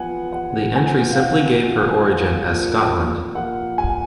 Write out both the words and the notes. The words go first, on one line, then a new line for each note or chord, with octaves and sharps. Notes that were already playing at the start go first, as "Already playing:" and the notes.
The entry simply gave her origin as Scotland.
Already playing: F3 B3 F#5 G#5
F#5
F3 B3 G#5
F5
F#5
F3 B3
A#2 F3 A#3
A#2 F3 A#3 F#5
G#5